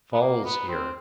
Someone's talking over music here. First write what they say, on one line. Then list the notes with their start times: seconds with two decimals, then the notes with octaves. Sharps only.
Fall's here.
0.13 B3
0.21 A#3
0.44 B3
0.68 C4